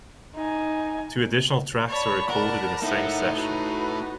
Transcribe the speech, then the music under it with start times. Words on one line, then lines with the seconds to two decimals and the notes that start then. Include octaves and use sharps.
Two additional tracks were recorded in the same session.
0.36 D#4 G#5
1.89 C#5 D5 A5 B5
2.29 A#4 F#5 A5
2.82 A3 D#4 E4 A#4 F#5
3.36 F#4 B4